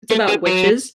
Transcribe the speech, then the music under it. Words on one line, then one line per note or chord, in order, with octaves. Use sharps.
it's about witches,
A3
G#3
F#3